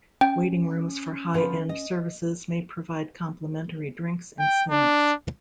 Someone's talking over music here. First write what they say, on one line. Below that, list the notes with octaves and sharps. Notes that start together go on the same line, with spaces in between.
Waiting rooms for high-end services may provide complimentary drinks and snacks.
C#4 G5
D3 F3 B4
D#5
G5
D4